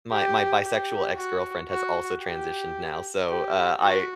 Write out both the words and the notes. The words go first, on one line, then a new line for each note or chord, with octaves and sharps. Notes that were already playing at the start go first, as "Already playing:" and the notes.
my my bisexual ex-girlfriend has also transitioned now. So, uh, I
G4
G4
F#4
F#4
G4
G4
F#4